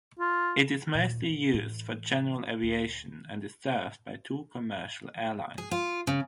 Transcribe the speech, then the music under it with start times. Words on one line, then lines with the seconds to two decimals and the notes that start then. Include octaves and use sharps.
It is mostly used for general aviation and is served by two commercial airlines.
0.19 F4
0.95 D#2 A#2
1.29 A#2
1.54 A2 E3
2.63 D2
5.58 G#4
5.71 F4
6.07 C#3